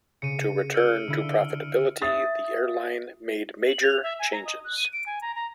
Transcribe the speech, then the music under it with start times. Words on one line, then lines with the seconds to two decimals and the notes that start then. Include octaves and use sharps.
To return to profitability, the airline made major changes.
0.22 C#3 C#7 D#7
0.74 E6 F6 D7
1.07 D3 E4
2.02 E5 D#6 A6
3.67 F#7
3.83 F7
4.03 E5
4.19 G#5
4.32 A#5
4.45 D#5
4.64 F#6
4.77 D#7
4.93 D7
5.06 G#5
5.22 A#5
5.35 A#5